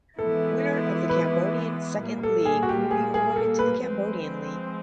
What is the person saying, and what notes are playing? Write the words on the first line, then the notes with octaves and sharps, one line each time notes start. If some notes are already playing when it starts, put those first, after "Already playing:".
Winner of the Cambodian Second League will be promoted to the Cambodian League.
E3 G#3 B3 E4 A4
B4
A#2 G3 A#3
A4
G#4
F#4
G4
G#4
G#4
A4
B4
F3 G#3 C4